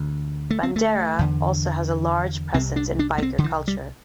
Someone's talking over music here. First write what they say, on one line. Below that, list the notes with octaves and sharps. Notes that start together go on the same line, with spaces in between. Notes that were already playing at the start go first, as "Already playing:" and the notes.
Bandera also has a large presence in biker culture.
Already playing: D2 D3
A3
C4
A3
E2 D3
C2 C3 C4
D4
D4
A3
C4
D3
E3
G3